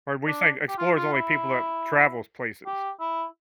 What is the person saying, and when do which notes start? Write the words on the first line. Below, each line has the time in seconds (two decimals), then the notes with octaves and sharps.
Or are we saying explorers only people that travels places.
0.27 D4
0.69 G4
0.78 F4
0.96 F4
1.13 E4
2.66 G4
3.00 E4